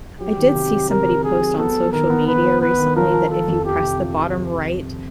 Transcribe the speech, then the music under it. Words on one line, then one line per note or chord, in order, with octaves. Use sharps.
I did see somebody post on social media recently, that if you press the bottom right
F#3 G4
D#3
C3
F#3
C3 A#4
D#3
C3 G#4
F#3
B3 A4
B3
D#3 A#4
B3
D#3 B4
B3
B3 B4
D#3
F3 A#4
F3
F3 A4
F2
F3 G4
C3
F3